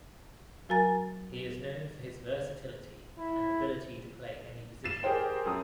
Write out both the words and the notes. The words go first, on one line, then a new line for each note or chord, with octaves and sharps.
He is known for his versatility and ability to play any position.
F#3 F#4 A#4 G#5 A#5 A6
E4
A6 C7 E7
G4 G#4 A#4 C5 G5
F#2 A3 D#6